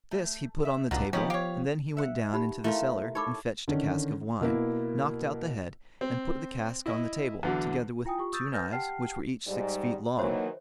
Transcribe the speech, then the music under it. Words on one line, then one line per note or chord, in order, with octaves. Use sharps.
This he put on the table, and then he went down into the cellar, and fetched a cask of wine, knocked out the head, and put the cask on the table, together with two knives, which were each six feet long.
A3
E5
C#2 B2 F#3 D4 F4
D#3 F3 B3 C#4 G4
G4 C#5 F5
E5 F#5
D#4 G4 B5
A3 E4 F4 A#4 F5
D#4 A4 C#5 B5 D6
D3 D#3 C#4
B2 A#3 E4
C4
E4 D#5 E5
E2 D3 F#3
E4 F4 G5 G#5 D#6
F4 G4 C#6
C#6 D#6 E6 G6 A6
B4 G#5 F6 G6 A6 A#6
G4 F#5 G5 A5 F6 C7
G#2 G3 D5
D#3 E3 F#3 A#3 C5 C#5 E5